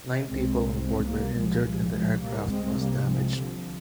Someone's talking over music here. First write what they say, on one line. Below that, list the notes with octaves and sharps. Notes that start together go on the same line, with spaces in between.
Nine people on board were injured and the aircraft was damaged.
C2 C3 G#3 C4
G#3 C4
G3 A#3
C2 A#2 F3 G#3
F3 G#3
F3 G#3
G3 A#3
C2 C3 G#3 C4
G3 A#3
F3 G#3
D3 F3